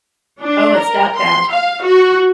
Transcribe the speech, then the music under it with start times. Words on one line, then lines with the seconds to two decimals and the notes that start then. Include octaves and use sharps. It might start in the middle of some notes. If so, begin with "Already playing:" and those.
Oh, it's that bad?
0.41 D4
0.79 A#4
1.17 C6
1.51 F5
1.84 F#4